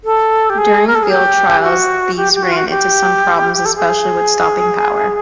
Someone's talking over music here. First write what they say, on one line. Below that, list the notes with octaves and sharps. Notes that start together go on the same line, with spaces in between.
During field trials these ran into some problems, especially with stopping power.
A4
G4
G#4
A#4
A4
G#4
G4
F#4
G4
G4
F#4
F4
F#4
G4
A4
G#4